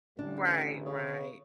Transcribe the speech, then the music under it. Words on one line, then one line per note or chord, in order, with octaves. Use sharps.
Right, right.
A1 D3 D4
C#3